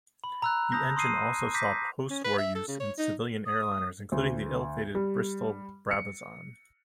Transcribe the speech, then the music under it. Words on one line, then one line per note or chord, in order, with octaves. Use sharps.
The engine also saw post-war use in civilian airliners, including the ill-fated Bristol Brabazon.
B5
A#5 E6 F#6
A5 A#5 D#6 G6 A#6
C6 D#6 C7 D#7
D6 G6 A#6 B6
C#4
B4
E5
A4
C#3
C#5
D#4
D#6
D2
G3
C#7